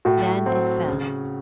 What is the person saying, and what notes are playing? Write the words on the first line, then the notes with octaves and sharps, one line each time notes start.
Then it fell.
A2 F#4
F#3 C4
C#3